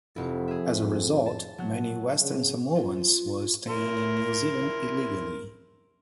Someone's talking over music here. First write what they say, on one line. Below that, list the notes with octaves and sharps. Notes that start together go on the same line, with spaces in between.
As a result, many Western Samoans were staying in New Zealand illegally.
F1 F2 E4
G#4 E5
A5
F#3 F#6
C#3
F4
E4 A#4 C6